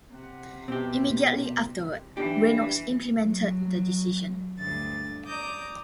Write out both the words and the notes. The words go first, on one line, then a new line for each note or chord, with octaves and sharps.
Immediately afterward, Reynolds implemented the decision.
C3 F#5
B2 C4 G4
E3 D4 G4
F#3
D2 G2 A6
D5 A#5 D6 D#6 G6